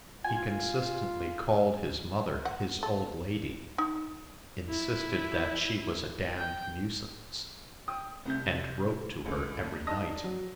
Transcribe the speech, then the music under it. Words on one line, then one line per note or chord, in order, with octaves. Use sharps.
He consistently called his mother his old lady, insisted that she was a damned nuisance--and wrote to her every night.
F4 G#5
F#5
A4
D#4
E4
G5
G5 D#6
C2 C3 G6
C#2 D3
D#2
D4 D#4 A5 D#6 A#6
F#3